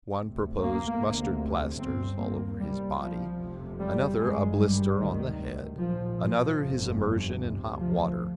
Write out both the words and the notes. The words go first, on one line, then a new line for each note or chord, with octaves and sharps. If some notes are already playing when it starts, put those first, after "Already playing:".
One proposed mustard plasters all over his body; another a blister on the head; another his immersion in hot water.
D2 C3
A#3
D2 C3
G1 G2 C4
A#3
C2 C3 G3
F3
F1 F2 C3
G3
G#1 G2 G#3
G3
D2 C3 D#3
A#1 G#2 F3
F3
G1 F2 C3
D2 C3
F3